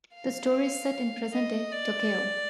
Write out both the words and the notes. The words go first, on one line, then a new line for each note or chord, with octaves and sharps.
The story is set in present-day Tokyo.
F5
D#5
D5